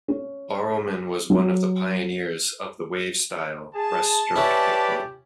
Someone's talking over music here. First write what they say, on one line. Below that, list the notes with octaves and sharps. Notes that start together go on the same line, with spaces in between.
Barrowman was one of the pioneers of the "wave-style" breaststroke technique.
C#4
F#3
G#4 A5
C#4 E4 G4 B4 D5 B5